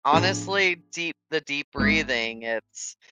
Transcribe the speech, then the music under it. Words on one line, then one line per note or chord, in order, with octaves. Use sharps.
honestly deep the deep breathing, it's,
A2 F3 B3 D4 G#4
G#1 G#2 G#3 B3 E4